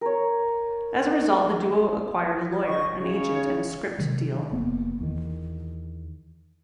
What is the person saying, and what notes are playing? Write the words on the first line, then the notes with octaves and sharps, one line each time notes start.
As a result, the duo acquired a lawyer, an agent, and a script deal.
A#4 C#5
D#5 C#6
C#3 C#5
C3 D#3 F#3 G#3
F1 A#3 B3
E2 D#3